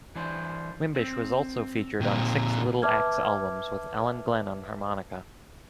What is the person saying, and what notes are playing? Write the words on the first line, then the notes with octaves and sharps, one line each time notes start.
Wimbish was also featured on six Little Axe albums with Alan Glen on harmonica.
E3 D4 C5
C4
A#2 D#3 A#3 C4 A#4
B4 E5 A5 D6 F6 G#6